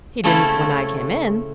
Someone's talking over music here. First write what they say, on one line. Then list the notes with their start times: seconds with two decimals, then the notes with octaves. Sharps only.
"He didn't when I came in."
0.24 C#3 A3 C4 C#4 E4 A4